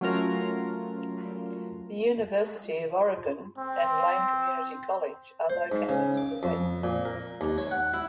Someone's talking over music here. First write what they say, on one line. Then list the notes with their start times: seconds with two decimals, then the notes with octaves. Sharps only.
The University of Oregon and Lane Community College are located to the west.
0.01 F#3 A3 C#4 F4 F#4 A#4
3.58 C4
5.50 C5
5.72 G#2
5.89 C#3
6.17 D6
6.43 F2
6.84 A#2
7.05 A#4
7.41 D#2
7.58 C#5
7.71 F#5
7.94 E4